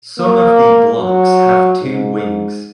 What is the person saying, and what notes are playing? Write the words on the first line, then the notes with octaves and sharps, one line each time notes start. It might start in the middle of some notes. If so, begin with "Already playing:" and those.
Some of the blocks have two wings.
A#3
F#3
G#2